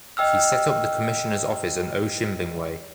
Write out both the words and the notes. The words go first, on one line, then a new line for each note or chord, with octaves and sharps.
He set up the commissioner’s office in Otjimbingwe.
D#5 G5 E6 F6